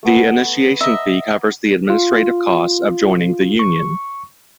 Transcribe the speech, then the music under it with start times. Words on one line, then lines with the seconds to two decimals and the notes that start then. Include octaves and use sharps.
The initiation fee covers the administrative costs of joining the union.
0.03 A3 B3 F#5
0.81 D#5 E5 A#5
1.90 F4
3.59 C#6